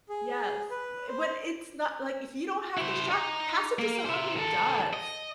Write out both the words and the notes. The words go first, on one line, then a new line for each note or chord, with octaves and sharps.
Yes. Wh when it's not, like, "If you don't have the shot, pass it to someone who does."
G#4
B4
C5
E4 C5
D#4
A#3
C5 E5
D#3 A4
D#5